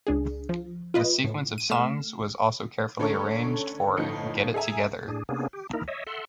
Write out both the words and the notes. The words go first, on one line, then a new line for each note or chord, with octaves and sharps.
The sequence of songs was also carefully arranged for "Get It Together".
C#2 D4 G#4
F3
F4 B4 D#5
A2
D#7
A3 F6 E7
D3 A3 C#4 A4 A#5 C#6
G1 A2 F3 C#4 D#4 C#7
G#4 A4 E5 G#5 A#5
A2 D4 G#4
C3 A#3 B3 C#4 D4 G#4
G4
A#3 D#4 E4 A#4
C#5 D#5 E5
A4 E5 F#5 C6